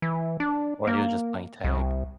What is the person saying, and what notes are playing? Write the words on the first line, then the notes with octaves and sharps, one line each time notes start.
or he was just playing tag.
E3
D4
A#3
C2